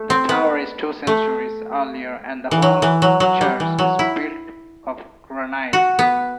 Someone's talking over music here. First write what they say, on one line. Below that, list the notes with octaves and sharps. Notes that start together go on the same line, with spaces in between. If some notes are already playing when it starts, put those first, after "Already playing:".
The tower is two centuries earlier and the whole church is built of granite.
Already playing: A3
C4
B3
A3
E3
F#3
E3
F#3
F#3
G3
E3
F#3
E4
F#4
B3